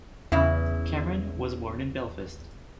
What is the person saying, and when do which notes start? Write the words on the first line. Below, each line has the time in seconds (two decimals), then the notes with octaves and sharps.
Cameron was born in Belfast.
0.32 E2 C#3 E4